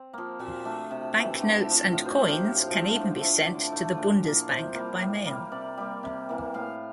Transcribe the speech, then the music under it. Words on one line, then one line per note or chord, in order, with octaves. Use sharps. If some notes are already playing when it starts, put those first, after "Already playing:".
Banknotes and coins can even be sent to the Bundesbank by mail.
Already playing: C4
F3 A#3
A#2 C4
A3 D4
C3
E3 A3
D3
F3 A3
A2 F4
C5
F3 A#3 E5
G5
A2 F5
F3 A3
D3
A3
D3 D5
A3
A#2
F3 A#3
C3 C5
G3 A#3
A2
G3 A#3
C3 D5
G3 A#3
C3
E3 A#3
A2 F5